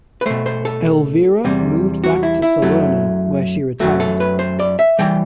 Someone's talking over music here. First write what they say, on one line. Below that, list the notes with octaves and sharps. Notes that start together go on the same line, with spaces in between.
Elvira moved back to Salerno where she retired.
B4
B2 A3 C5
C5
A4
E2 C3 G3
F#4
E4
E4
F#2 F#3 A3
F#2 F#3 A3 F#4
A4
B4
C5
D5
E5
E3 G3 G5